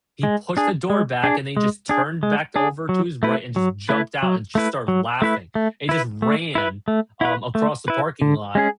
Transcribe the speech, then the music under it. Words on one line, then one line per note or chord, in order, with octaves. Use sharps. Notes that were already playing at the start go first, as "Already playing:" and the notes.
he pushed the door back, and then he just turned back over to his right and just jumped out and just started laughing, and he just ran, um, across the parking lot.
G#3
D4 G#4
G#3
D4 G#4
G#3
D4 G#4
G#3
D4 G#4
F#3
A3 E4 B4
F#3
A3 E4 B4
F#3
A3 E4 B4
F#3
A3 E4 B4
A3
E4 B4
A3
E4 B4
A3
E4 B4
A3
E4 B4
D3
G#3 C#4 G#4